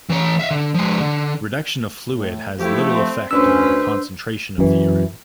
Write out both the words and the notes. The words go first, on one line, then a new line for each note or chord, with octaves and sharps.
Reduction of fluid has little effect on the concentration of the urine.
E3 C#5
E5 F5
D3
F3 G#3
D3
A2
F3 A3 E4 G4
C4
D2 C#4 D4 B4 C5 E6
F#2 E3